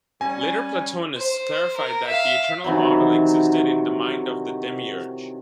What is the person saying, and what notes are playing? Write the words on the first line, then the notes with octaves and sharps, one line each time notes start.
Later Platonists clarified that the eternal model existed in the mind of the Demiurge.
G3 C#4 G#5
C5
A#4
E5 F5
C3 D#3 E3 F#3